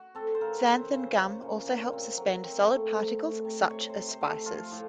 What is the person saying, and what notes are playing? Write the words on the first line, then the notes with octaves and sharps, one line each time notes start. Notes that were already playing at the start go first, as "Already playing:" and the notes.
Xanthan gum also helps suspend solid particles, such as spices.
Already playing: F#4
C4 A4
C5
C#3 A#4
C4 C5
C#3
C#3
A#2
A#2
C4
F#3 A#4
C4
A3
C3
A3
C3
C3 C#5
C5
C3
C5
A3
A4
F3 F4
A2